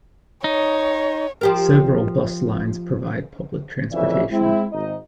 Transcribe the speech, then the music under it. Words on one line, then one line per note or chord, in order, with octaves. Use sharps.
Several bus lines provide public transportation.
D#4 C#5
F3 G4 A#4
A1 F2 C#3 E3 D5 E5
G#3 C4 E4
G#1 D#4 D#5